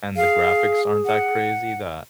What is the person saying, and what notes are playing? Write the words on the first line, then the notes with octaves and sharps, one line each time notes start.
and the graphics aren't that crazy that
G#4 F5
F#5